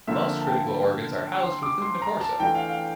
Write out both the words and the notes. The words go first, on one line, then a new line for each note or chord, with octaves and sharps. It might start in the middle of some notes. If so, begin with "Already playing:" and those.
Most critical organs are housed within the torso.
D3 F3 A#3 E5
A5
G5
C6
D6
C6
A#5
A5
E3 A3 D4 F4 G5
F5
F5